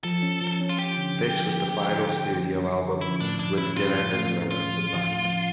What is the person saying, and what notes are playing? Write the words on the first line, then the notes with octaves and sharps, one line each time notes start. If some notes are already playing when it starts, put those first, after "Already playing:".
This was the final studio album with Dinner as a member of the band.
F3 A4
C#4
F3
C#4
F4
C#4 G4
D3
D3
F3
A#3
F3
D3
D3
F3
C#4
C#4
D3
F3 E4
A2 D4
A2 D4
C#4 E4
C#4 F4
A2
A3
A3
C#4 F4
F3
F3
A2
F3